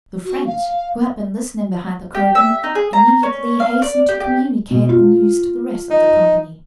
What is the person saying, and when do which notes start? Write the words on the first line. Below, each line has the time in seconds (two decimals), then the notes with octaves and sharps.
The friend, who had been listening behind the curtain, immediately hastened to communicate the news to the rest of the company.
0.25 F#4
0.47 F5
2.15 G4
2.35 E5
2.64 D#4
2.75 G#4
2.93 A#5
3.23 C#4
3.60 F5
3.82 D5
4.09 G4
4.20 G4
4.71 B2
4.89 F4
5.90 D#4